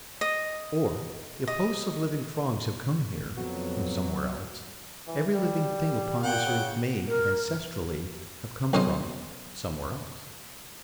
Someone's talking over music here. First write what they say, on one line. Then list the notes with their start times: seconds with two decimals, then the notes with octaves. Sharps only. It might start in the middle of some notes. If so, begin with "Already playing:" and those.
Or if hosts of living frogs have come here--from somewhere else--every living thing upon this earth may, ancestrally, have come from--somewhere else.
0.21 D#5
1.47 D#5
3.37 F2 F#3 B3
5.08 E3
5.34 G3
6.23 A#2 F#5 G5
6.46 C#3
7.07 A#4
8.73 B1 C#4 G#4 C5 D#5